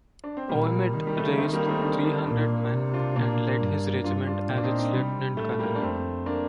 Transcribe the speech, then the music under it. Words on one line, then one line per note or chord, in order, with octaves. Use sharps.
Ouimet raised three hundred men, and led his regiment as its Lieutenant-Colonel.
D4
C4
A#2 G3 A#3
D#3
G3
A3
A#3
A3 C4
G3 A#3
A3 C4
A#3 D4
A#3 D4
A#2 A#3 D4
C3
D4 F4
A#2 A#3 D4
G2
G2 D4 F4
D4 F4
A#2
D4
C4 D#4
C4 D#4
C3 G3
A2 A3
G3 A#3
D4
F2 A3 C4
A#3 D4